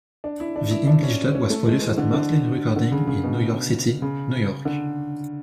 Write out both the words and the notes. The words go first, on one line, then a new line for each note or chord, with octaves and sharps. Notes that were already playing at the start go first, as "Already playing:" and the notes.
The English dub was produced at Matlin Recording in New York City, New York.
D4
E4
D4
E4
D4
C#4
C#4
A3
G#3
E3
D3
D3
D3
C#3
C#3
B2
C#3
D3